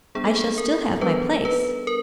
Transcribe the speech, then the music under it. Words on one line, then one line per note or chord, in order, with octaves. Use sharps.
"I shall still have my place."
G3 B3 D4 G#4
A4
G#4
A#4
G3 B3 D4 B4
B4
A#4